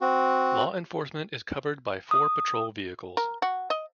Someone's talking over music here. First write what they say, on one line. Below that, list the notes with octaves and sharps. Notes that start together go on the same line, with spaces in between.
Law Enforcement is covered by four patrol vehicles.
C4 F#4
D#6
A#4
F#4
D#5